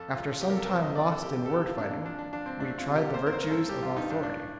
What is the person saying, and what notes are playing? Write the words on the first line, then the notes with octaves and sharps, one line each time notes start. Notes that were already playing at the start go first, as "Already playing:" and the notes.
After some time lost in word-fighting, we tried the virtues of authority.
Already playing: F2 A4
F2 F4
C3 G4
A#4
A4
A#4
C3 C5
D#5
A#3 D5
A4
A#3 G4
G4
A4
C3 G4
F4
A#3 D4
D4
F3 D4
D4
F3 D4
C4
A3 D4
F4
C3
G4
A#3 C5
A#4
C5
G2 A#4
A4
G3 G4
F4
G2 D#4
D4
A2 D4